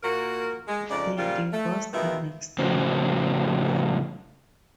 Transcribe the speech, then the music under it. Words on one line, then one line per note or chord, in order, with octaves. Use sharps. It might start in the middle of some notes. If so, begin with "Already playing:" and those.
They divorced the next year.
A#2 A#3 F#4 A#4
G#3
F2 C#3 D#4 D5
A#2 C#3 F3 G3 F4
A3
B2 D#3 G#3 B3 F4 E5
F2 A2 C#3 C#4 F#4 C5